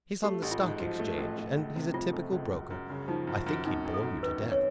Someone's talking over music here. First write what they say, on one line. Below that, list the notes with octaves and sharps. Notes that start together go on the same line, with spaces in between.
"He's on the Stock Exchange, and he's a typical broker. I think he'd bore you to death."
A3 G4
A1
F4
G#2
F3 F#4
A3
A1
A3
C#2
C3
F3 F4
A3
C#2
F#2
F#2
C#3
F3 D#4
F#2
F#2
G#1 D#4
G#1
A4
F#2
D#3 B4
G#1
C#5